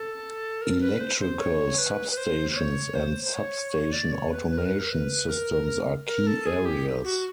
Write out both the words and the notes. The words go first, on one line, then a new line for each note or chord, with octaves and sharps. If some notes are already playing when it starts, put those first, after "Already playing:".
Electrical substations and substation automation systems are key areas.
Already playing: A4
A#4
B4
C5
C5
C#5
B4
B4
C5
C5
C#5
C5
C5
C#5
C#5
D5
C#5
B4
B4
A#4
B4
A#4
B4
A#4
A#4
A4
G#4
G4
F#4